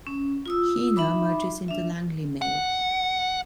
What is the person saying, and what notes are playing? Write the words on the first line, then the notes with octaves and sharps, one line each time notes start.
Heanor merges into Langley Mill.
C#4
F4 D#6 E6
D#4 E5 B5 D6
D4 E5
F#5